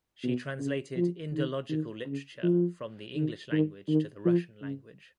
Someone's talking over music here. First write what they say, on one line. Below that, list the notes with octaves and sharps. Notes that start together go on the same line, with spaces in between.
She translated Indological literature from the English language to the Russian language.
B2
C#3
F3
D#3
D#3
C#3
F3
D#3
D#3
D#3
F3
C#3